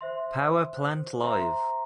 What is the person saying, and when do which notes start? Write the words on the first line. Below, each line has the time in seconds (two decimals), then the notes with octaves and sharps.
Power Plant Live!
0.01 C5 E5 C6
0.74 C5
1.24 C5 E5 A#5 C6